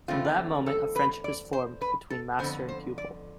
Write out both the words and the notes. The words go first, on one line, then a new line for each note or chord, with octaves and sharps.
From that moment a friendship is formed between master and pupil.
E2 D3 A3 C4 F4
A4
B4
D5
C5
B4
A4
F2 D3 F3 B3 C5
C5
D5